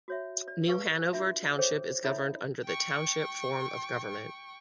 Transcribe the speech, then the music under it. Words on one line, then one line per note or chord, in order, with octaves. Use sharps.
New Hanover Township is governed under the Township form of government.
F#4 C#5 E5
D5
G4 B4 F5 G#5 C#6
D4 F4 F#4 E5
G#4 A4 C5 C#5 G5
D4 E4 A4 C#5 E5 B5
G5 C#6